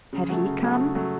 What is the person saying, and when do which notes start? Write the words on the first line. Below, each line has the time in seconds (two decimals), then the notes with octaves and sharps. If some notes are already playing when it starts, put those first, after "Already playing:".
Had he come?
0.13 C#3
0.29 F#3 A3
0.45 C#3
0.62 F#3 A3
0.79 C#3
0.95 F#3 A3